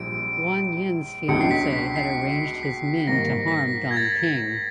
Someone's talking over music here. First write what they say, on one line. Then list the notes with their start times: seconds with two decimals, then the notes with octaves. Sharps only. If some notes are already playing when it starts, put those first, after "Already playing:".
Wan-Yin's fiance had arranged his men to harm Dan Ping.
Already playing: A#1 A#2 G3 D7
1.28 C#2 B2 F#3 A3 D4 C#7
1.41 C7
1.51 B6
1.73 B6
1.96 C7
2.63 B6
3.07 G#2 D#3 G3 A#3 A#6
3.48 B6
3.52 A#6
3.91 G#6
3.97 A6